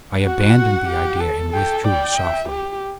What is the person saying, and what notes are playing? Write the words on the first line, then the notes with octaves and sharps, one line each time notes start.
I abandoned the idea and withdrew softly.
F#4 F#5
F#4
G4
A4
A4 G5
D5 G5
E5
G4